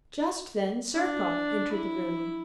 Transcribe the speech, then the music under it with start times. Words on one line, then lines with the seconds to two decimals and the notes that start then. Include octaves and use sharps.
Just then Zherkov entered the room.
0.93 D4
1.72 E4